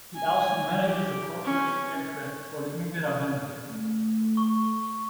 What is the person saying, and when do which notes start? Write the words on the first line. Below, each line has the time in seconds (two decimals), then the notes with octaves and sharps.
It also manages a corporate aircraft for Inveravante.
0.15 G#5
0.83 G4
1.44 C#4
3.70 A3
4.37 C#6